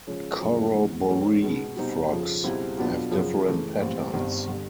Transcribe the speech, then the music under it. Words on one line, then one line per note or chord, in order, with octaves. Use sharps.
Corroboree frogs have different patterns.
C#3 F3 G#3 C#4
F#2 D3 F3 G#3
A1 G#2 E3
A1 G#2 E3 A3 C#4
B2 G#3 B3
B2 G3 C4 D#4
F2 C#3 F3
C#2 B2 G3 C4 E4
B2 F#3 B3 D4 F4
F#2 C#3 F3
C#3 E3 A3
A#1 A2 E3 G3 C4
G1 G2 D#3 G3 C4
D3 G3